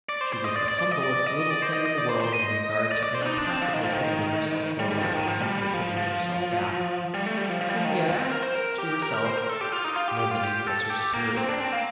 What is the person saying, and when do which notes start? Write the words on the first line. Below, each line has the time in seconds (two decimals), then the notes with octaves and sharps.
She was the humblest little thing in the world in regard to any possible putting of herself forward or needful putting of herself back; and yet, to herself, nobody was her superior.
0.09 D5
0.21 C5
0.33 C5
0.44 D#5
0.56 D5
0.68 D5
0.80 D5
0.91 D#5
1.03 D5
1.26 D#5
1.50 D5
1.62 C5
1.73 D#5
1.86 D#5
1.98 D5
2.09 C5
2.21 C5
2.32 D#5
2.91 D5
3.03 D5
3.14 C5
3.21 D4
3.26 D#4
3.38 D4
3.50 C4
3.62 F3
3.74 D#3
3.83 F3
3.94 D#3
4.79 G3
4.91 G3
4.97 D#3
5.02 F3
5.15 D#3
5.27 F3
5.42 G3
5.58 G3
5.74 F3
5.97 F3
7.14 G3
7.26 A3
7.37 G3
7.49 F3
7.61 F3
7.69 G3
7.77 F3
7.85 D#3
8.08 F3
8.19 C4
8.32 A#4
8.43 C5
8.55 A#4
8.78 G4
9.02 A#4
9.14 A#4
9.25 C5
9.38 A#4
9.49 A4
9.61 G4
9.72 F4
9.84 D#4
9.96 F4
10.08 G4
10.19 G4
10.31 F4
10.43 G4
10.67 A4
10.90 G4
11.14 A#3
11.37 C4
11.49 D4
11.61 C4
11.73 A#3